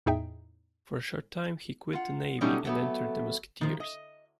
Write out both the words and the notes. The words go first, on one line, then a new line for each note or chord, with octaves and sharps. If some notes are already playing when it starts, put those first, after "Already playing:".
For a short time he quit the navy and entered the musketeers.
E2 A2 D#4 G#4 E5 G5
F4 F#5
B2 F#3 G3 A3 C#4 D#4
F#3 A3 B3
D#3 F3
D#5